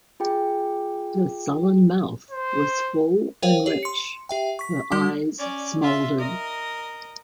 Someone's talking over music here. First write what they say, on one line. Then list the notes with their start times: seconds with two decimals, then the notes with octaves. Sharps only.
Her sullen mouth was full and rich -- her eyes smoldered.
0.20 F4 G#4 G5
2.31 C5
3.43 A#4 C5 C#5 F5 G5
3.66 G4 C#5
3.83 C6 C#7
4.29 G4 E5 G5
4.59 C#6 B6
4.92 G3 F#4 D5 D6
5.39 C#4 D5
5.82 F4 E5
6.18 A#4 D#5